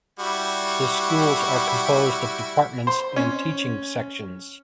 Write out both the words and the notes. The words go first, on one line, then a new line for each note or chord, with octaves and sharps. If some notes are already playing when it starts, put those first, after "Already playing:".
The schools are composed of departments and teaching sections.
G3 E4 F#4
C5
C#4